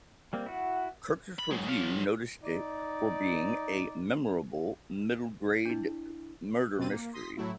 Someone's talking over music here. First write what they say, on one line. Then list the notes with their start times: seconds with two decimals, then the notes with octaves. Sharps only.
Kirkus Review noted it for being "a memorable middle grade murder mystery".
0.33 G3 A#3 C4
0.46 E4 F#4 F#5
1.39 B5
1.51 F#3 G#3
1.68 F#3 F5
2.42 D#4 D5
5.65 D4 E4
6.78 D#2 B2 F3 C4 A6 D#7
6.91 A#3
7.13 C6 D#6 A#6 B6
7.37 A2 F#3 A3 E4